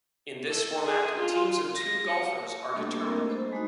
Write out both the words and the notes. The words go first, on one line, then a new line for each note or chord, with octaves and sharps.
In this format, teams of two golfers are determined.
A4
G#4
F4
A#6
C#7
G3 A3 A#3 D4 A4 B5
A3 A#3 C4 D4 A4 A#4
D#5
A4 C5 B5
G#3 A3 D#4 F#4